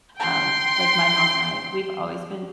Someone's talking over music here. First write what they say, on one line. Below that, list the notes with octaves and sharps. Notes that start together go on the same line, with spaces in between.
um, like, my mom and I, we've always been
G5 C6